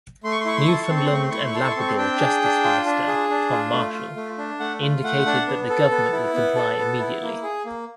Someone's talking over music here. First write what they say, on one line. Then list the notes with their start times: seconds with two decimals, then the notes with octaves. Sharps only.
Newfoundland and Labrador Justice Minister Tom Marshall indicated that the government would comply immediately.
0.24 A3 C6
0.32 C#6
0.40 C6
0.45 E4 C#6
0.56 C6
0.64 A4 C#6
0.72 C6
0.82 C#6
0.89 C4 C6
0.97 C#6
1.05 C6
1.11 A3 C#6
1.23 C6
1.31 E4 C#6
1.38 C6
1.47 C#6
1.55 A4 C6
1.64 C#6
1.71 C6
1.76 C4 C#6
1.88 C6
1.98 D4 G5
2.20 G#4
2.42 D4
2.64 F4
2.86 D4
3.08 G#4
3.29 D4
3.51 F4
3.72 A3
3.94 F4
4.16 A3
4.38 D4
4.60 A3 F#5
4.82 F4
5.03 A3 F#5
5.26 D4
5.47 B3
5.69 A4
5.91 B3
6.12 E4
6.34 B3
6.56 A4
6.78 B3
6.99 E4
7.22 A#3
7.43 G#4
7.65 A#3